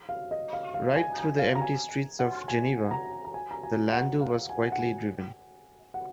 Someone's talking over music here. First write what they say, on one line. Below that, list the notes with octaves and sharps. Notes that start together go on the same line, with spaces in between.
Right through the empty streets of Geneva the landau was quietly driven.
F5
D#5
F5
F5
G#5
G#5
F5
A#5
G#5
F#5
G#5
A#5
A#5
G#5
A#5
G#5
F#5
F5
G#5
F#5
G#5
F#5